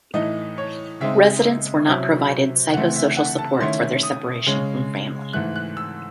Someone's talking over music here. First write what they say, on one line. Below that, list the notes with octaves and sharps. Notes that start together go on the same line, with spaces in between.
Residents were not provided psychosocial supports for their separation from family.
A2 E3 A3 D#4 D#5
C#5
C#3 G#3 C4 D#4 E5
C3 F#3 C#4 E4
C#3 E3 A3 C4 F#5
E5
F#5
A5
D#3 A3 C#4 E4 C6
D#6
C#3 G#3 C#4
G#2 E3 A3 F#6
F#6
E6